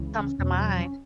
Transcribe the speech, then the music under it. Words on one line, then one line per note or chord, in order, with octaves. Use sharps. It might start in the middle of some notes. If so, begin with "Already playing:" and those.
comes to mind.
Already playing: C#2 C#3 E3
C#4
E2 B2 F#3 C#4
C#4